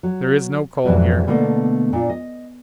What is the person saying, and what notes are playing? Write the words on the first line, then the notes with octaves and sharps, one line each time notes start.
There is no coal here.
F#3
F2 G#2 B2 E3 F#3 G3
B2 D3 A3 A#3
A#2 D4 F4
D#5